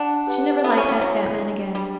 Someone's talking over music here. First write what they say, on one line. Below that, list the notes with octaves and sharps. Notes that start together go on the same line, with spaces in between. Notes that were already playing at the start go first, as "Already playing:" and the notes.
She never liked that fat man again.
Already playing: D4 F#5 A5
G4 B4 F#5 A5
B3 E4 A4 C#5 E5
C#4
G3
F#3 E4 A4 C#5 E5
D4 G4 D5
G3 D4 G4 D5